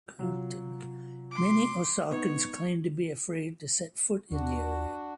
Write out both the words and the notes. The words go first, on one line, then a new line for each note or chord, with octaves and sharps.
Many Osakans claim to be afraid to set foot in the area.
C3 F#3 F4
C6 D6
B3 D#4 C#5
D#2 D4 F#4